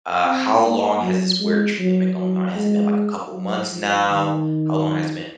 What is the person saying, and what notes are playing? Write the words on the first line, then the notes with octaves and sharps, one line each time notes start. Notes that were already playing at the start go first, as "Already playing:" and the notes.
uh, how long has this work treatment been going on? Has it been, like, a couple months now? How long has it been,
C4
A#3
F#3
G#3
F#3
F#3
G#3
F#3
F3
D#3